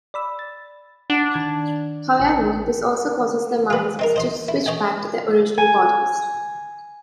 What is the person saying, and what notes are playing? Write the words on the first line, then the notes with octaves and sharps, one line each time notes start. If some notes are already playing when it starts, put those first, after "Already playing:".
However, this also causes their minds to switch back to their original bodies.
D5 B5 E6
A6
D4 F#5 A5
D#3 G#6
A1 C#7
F4 B4
C4 D#4 A#4
C5 D#5 C6
E4
C#5 D#5 G5 G#5
G#5